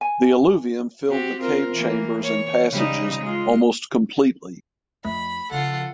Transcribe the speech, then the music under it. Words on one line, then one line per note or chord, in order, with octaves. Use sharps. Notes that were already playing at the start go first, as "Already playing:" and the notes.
The alluvium filled the cave chambers and passages almost completely.
G#5
C4 F#4 G4
C4 F4 A#4
E3 A#3
C#5
C#3 G3 D#4
G#3 F4
F2 A3 B5
C#3 F3 F4 A4 F#5